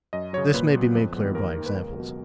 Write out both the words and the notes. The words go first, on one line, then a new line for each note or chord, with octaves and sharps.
This may be made clear by examples.
F#2 D#5
C#3 F#3 C#5
A#2 B4
F#3 B3
F2
D#3 G#3 B3
D#2 A#4
D#3 A#3
B4
C#2 A#4
B2 F#3